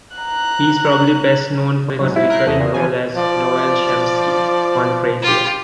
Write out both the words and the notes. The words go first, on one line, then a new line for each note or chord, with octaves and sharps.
He is probably best known for his recurring role as Noel Shempsky on "Frasier".
A#5 F#6
G#2 F#3
E4
A#4 F#6 C7
E2 A3 D#5
A#2
C#3 E3 F3 G#5
F3 D5
F4 G4